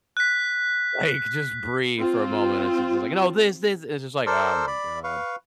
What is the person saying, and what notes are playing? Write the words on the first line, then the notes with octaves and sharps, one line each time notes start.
Like, just breathe for a moment. It's just is like, "You know, this, this!" It's just like, "Oh my god."
F#6 B6
C4 F4
A4 A#4 C5 D5 C6 E6
D5 B5
B4 F5 C#6